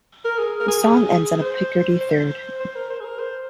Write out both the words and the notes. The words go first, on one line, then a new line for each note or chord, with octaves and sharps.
The song ends on a Picardy third.
A#4
G#4
A#4
G#4
G#4
C5
C5
C5
A#4
C5
G#4
A#4
C5